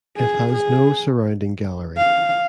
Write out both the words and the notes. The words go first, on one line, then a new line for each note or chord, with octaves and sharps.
It has no surrounding gallery.
G#4
G#4
F5